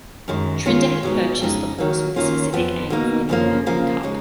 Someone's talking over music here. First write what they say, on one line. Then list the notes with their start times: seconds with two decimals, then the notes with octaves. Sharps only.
Trinder had purchased the horse with the specific aim of winning the Melbourne Cup.
0.28 F#2 D#3 G#3
0.66 D#3 G#3 C#4 F4
1.03 B2 G#3 D#4
1.40 F2 C#3 G#3 D#4
1.78 D#3 F#3 A#3
2.16 D#3 A#3 C#4 F4
2.53 F2 F3 B3
2.90 B2 A#3 D#4
3.29 F#2 C#3 F3 A#3
3.66 C#3 F3 A#3
4.03 C#3 G#3 D#4